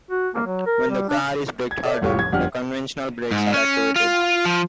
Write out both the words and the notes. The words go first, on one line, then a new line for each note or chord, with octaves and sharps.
When the car is braked harder, the conventional brakes are activated.
F#4
A#3
F#3
A#4
G3
D4
G#6
A4 C#5 D5 E5
G1 C2 A2 F4 G4 C#6
F1 G#6
G1 F2 D4 G4 F#5 F6
G#2
C#4
F4
F3